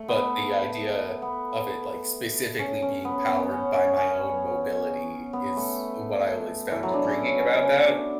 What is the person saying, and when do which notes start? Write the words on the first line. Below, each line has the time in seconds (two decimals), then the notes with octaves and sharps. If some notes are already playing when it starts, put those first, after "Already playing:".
But the idea of it like specifically being powered by my own mobility is what I always found intriguing about that.
Already playing: A3
0.08 B3
1.22 B3
2.59 C#4
2.82 C#4
3.05 B3
3.28 B3
3.51 C#4
3.74 C#4
3.97 C#4
5.33 B3
5.57 A3
6.72 E3
6.83 F#3
6.94 D4
7.05 C#4
7.40 C#4
7.63 C#4
7.85 D4